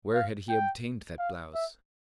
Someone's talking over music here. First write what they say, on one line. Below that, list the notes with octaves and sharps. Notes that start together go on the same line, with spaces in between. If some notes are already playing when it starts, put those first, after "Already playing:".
Where had he obtained that blouse?
F5
G5
F5
E5